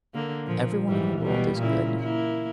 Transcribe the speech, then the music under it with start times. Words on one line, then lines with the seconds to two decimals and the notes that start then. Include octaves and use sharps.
Every one in the world is good.
0.14 D3 A#3
0.47 A#2 F3
0.88 G#2 E3 G3
1.22 B2 G3
1.58 A#2 C#3 E4
2.01 A#3 E4